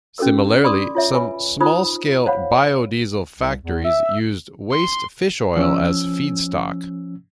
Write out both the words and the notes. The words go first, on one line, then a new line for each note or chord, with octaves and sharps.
Similarly, some small-scale biodiesel factories use waste fish oil as feedstock.
C#4 F#4 A4 B4 E6
D5 B5 C6 D6 D#6
F4 C#5 E5
B4 G#5 B5
D#4 F4 C5 B5 D#6
C5 C#5 F5 F#5 B5
C2
E2
E5
C6
F3 C#4 E6